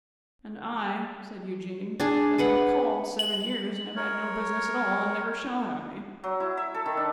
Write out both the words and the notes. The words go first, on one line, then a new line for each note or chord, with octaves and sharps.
'And I,' said Eugene, 'have been "called" seven years, and have had no business at all, and never shall have any.
D4 G#4
G#4 B4 F#5
F#7
A#4 C#5
F#3
E4
E5
A4
D#3
D4